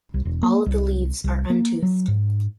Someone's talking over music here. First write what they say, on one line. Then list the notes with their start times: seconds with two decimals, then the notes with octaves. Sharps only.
All of the leaves are untoothed.
0.14 C2
0.25 E1
0.43 A#3
0.66 C2
1.24 C2
1.50 A#3
1.82 F#3
2.08 G#2